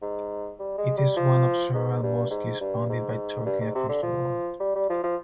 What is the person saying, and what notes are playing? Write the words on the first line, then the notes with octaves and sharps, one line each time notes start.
It is one of several mosques funded by Turkey across the world.
G#2
G3
G#3
G3
F3
G#2
G2
G#2
G2
G#2
G2
G#2
C3
D3
F3
G3
G3
F3
F3